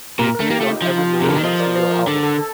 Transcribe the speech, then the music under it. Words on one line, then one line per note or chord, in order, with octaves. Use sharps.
He appeared on every Marillion studio album.
A#2 A#4
A#4
A3
A#3 G4
A3 F4
D#4
F3 D#4
F4
G4
C3
A#4
D3 A4
D#3
F3 C5 D#5
A#4 D5
C5
A#4
D3 A4
A4
A4